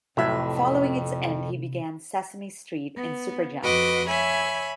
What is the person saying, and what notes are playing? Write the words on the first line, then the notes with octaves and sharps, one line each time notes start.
Following its end, he began "Sesame Street" in "Super Jump".
F2 A2 C3 F#3 B4 E5
B3
F2 F#4 B4 D#5 D6
C#5 E5 G#5 B5